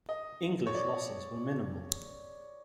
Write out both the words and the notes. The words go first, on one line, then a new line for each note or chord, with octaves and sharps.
English losses were minimal.
D#5
C#5
D5